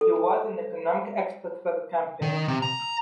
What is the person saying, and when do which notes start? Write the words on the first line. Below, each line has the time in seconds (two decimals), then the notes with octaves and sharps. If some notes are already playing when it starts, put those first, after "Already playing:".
He was an economic expert for the campaign.
0.01 A4
2.22 D#3
2.48 C3
2.62 A#5